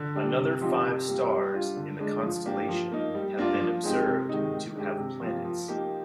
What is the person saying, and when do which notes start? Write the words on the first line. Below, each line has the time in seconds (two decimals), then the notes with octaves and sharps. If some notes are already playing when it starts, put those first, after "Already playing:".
Another five stars in the constellation have been observed to have planets.
Already playing: D3
0.15 G3 D4
0.38 C3
0.61 F3 C4 D#4 G4
0.84 C3
1.08 G3 A#3
1.30 G3
1.53 D4 F4
1.76 D3
1.99 G#3 D4
2.22 F3
2.46 A#3 D4 G4
2.68 F3
2.92 A#3 D#4
3.14 G3
3.37 A#3 D4 F4
3.60 F3
3.83 G#3 C4 D#4 G4
4.07 C3
4.29 D#3 G#3 D#4
4.52 D#3
4.76 G#3 D4 G4
4.98 C3
5.21 F3 A#3
5.44 F3
5.68 A#3 D#4 G4